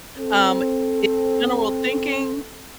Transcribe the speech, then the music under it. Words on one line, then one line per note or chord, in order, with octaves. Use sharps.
um, in general thinking,
C4 A4